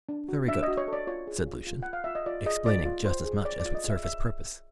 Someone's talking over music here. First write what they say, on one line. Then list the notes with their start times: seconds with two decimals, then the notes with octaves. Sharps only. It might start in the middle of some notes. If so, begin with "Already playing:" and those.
"Very good," said Lucian, explaining just as much as would serve his purpose.
0.09 D4
0.29 F#4
0.48 D4 E5
0.63 D#5
0.68 F#4
0.77 C#5
0.88 A4 D5
1.07 F4 C#5
1.27 G#4
1.47 F4
1.67 F4
1.83 F4 F#5
1.93 F5
2.04 F4 E5
2.15 D#5
2.26 F4 D5
2.46 G#4 D#5
2.66 F4 D5
2.86 F4
3.06 C5
3.25 G#4
3.45 C#5 D5
3.60 D5
3.65 F4
3.75 D#5
3.85 G#4 E5
4.04 C#5 E5